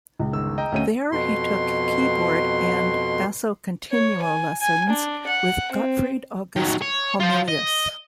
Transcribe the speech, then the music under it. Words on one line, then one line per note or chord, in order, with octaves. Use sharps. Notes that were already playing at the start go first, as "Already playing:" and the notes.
There he took keyboard and basso continuo lessons with Gottfried August Homilius.
C#2
G1 D#3 E6
D#5 G5 A#5
D2 C#4 D#7
F2 B2 C6
C#5
G#5
G#5
D4
F#5
C4
D#3 F#3
C#5
F4 C5
D#5